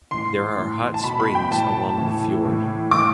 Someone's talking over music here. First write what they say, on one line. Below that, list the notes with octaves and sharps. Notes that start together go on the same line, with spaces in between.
There are hot springs along the fjord.
A2 E3 C6
A2 E3
A5
B2 B5
B5
G5
A2 E3 A5
A2 E3
A2 E3
A2 E3 D6